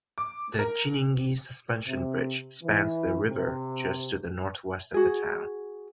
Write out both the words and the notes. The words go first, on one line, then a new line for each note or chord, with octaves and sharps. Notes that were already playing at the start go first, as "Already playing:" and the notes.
The Chinyingi Suspension Bridge spans the river just to the north-west of the town.
D6
A#4
C3
E3
C3
F#4 G#4